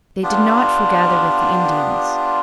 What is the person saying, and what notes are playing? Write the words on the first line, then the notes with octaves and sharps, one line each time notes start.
They did not forgather with the Indians.
B3 D4 F4 G4